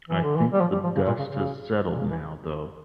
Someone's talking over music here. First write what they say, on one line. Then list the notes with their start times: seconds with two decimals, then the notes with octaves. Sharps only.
I think the dust has settled now, though.
0.09 E3
0.23 D3
0.36 E3
0.53 G3
0.61 F3
0.72 G3
0.84 F3
0.96 C#3
1.07 A#2
1.19 C#3
1.31 C#3
1.93 A#2
1.99 C#3
2.10 E3